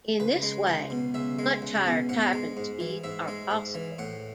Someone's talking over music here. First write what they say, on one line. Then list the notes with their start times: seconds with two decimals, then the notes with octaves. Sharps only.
In this way, much higher typing speeds are possible.
0.20 C#2 B4
0.43 G#3
0.67 C#2
0.90 B2
1.14 C#2 E5
1.39 G#3
1.62 C#2
1.86 B2
2.09 G#2 F#5
2.33 G#3
2.57 G#2
2.80 E3
3.04 G#2 E5
3.28 G#3
3.51 G#2
3.75 E3
3.98 A2 F#5